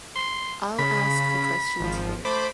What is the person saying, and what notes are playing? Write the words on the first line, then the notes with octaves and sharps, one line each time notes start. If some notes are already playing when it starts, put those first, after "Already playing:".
I’ll ask the questions here.
C6
C#3 B5
G#1 F3
A3 C5 B5 D6